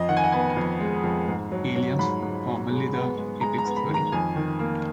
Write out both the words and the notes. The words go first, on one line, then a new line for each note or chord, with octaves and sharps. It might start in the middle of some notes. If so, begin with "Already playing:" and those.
Helium, formerly The Apex Theory.
Already playing: F2 D#5
D#3 F#5
G#5
F#5
B3 G#5
F2
G#3
F2
G#2
F#3
F#3
G#2 B5
G#2
F#3
G#3
B3
G#3
G#3 A#5
A#5
B3
B5
D#3
A#5
F2 G#5
D#3
A#3